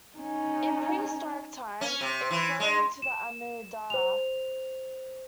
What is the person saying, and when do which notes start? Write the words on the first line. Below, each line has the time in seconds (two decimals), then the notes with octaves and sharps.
In prehistoric times it flowed into the Amu Darya.
0.17 C#4 D#4
1.81 C#4
2.01 C3
2.31 E3
2.60 G#3
3.02 E7
3.90 C5 F7